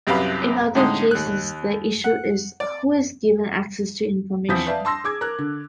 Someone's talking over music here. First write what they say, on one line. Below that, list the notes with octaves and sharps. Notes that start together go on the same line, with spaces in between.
In other cases the issue is who is given access to information.
C2 F#2 G4 B4 F5 B5
A2 D3 G#3 D#4
D#2 F#6
F#5
D5
E2 F3 C4 D#6 G6 B6
B4 D5 E5 F5 A5
A5 C6 E6 A#6
G#4 D6 G#6
A#4 F#6
D3